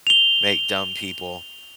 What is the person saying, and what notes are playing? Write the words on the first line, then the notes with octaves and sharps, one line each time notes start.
make dumb people,
F7 G7